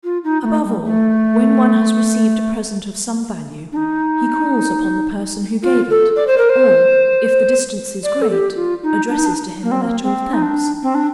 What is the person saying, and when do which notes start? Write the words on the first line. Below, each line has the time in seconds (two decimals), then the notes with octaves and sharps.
Above all, when one has received a present of some value, he calls upon the person who gave it, or, if the distance is great, addresses to him a letter of thanks.
0.04 F4
0.24 D#4
0.44 A3
0.64 G3
0.84 A3
3.72 D4
3.77 D#4
5.63 F4
5.90 A4
6.16 D5
6.27 C5
6.38 A#4
6.50 C5
8.03 D5
8.22 A4
8.30 G4
8.56 F4
8.83 D#4
9.09 D4
9.18 D#4
9.26 D4
9.63 A#3
9.71 C4
9.81 A#3
10.02 C4
10.33 D#4
10.42 D4
10.83 C4
10.95 D4